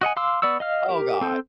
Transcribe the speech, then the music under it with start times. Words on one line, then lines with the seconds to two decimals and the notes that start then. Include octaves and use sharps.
Oh god.
0.01 F#4 D#5 F#5 G#5
0.17 F5 C6 D6 E6
0.42 B3 D5 C#6 E6
0.60 D#5 F5 F6
0.89 G4 A#4
1.21 C4 A4 C5